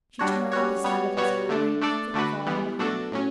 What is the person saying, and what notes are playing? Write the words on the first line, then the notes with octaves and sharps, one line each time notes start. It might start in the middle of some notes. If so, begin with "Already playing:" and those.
She turned at the sound of his hurried foot-fall behind her.
G3 D4 F#4 C#5
G3 C#4 F#4 C#5
G3 B3 F#4 C#5
B2 G3 B3 F#4 C#5
D3 A3 D4
A3 D4 A4 D5
D3 A3 D4 F#4 B4
E3 G3 B3
B2 A3 D4 F#4 A4
A2 F#3 C#4